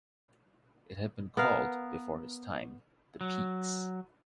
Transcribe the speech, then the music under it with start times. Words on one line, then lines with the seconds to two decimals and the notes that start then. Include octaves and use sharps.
It had been called, before his time, the Peaks.
1.37 B3 A#4 F5
3.21 F#3